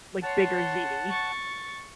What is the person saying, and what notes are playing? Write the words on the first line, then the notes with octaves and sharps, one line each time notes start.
like, bigger ziti.
C#5 F#5 A5 C6
C#6 A6